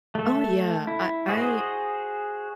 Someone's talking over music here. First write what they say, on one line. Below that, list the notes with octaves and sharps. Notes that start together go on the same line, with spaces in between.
Oh, yeah, I I
A3 A4
E4
F#4 G#4 C5 D5 D#5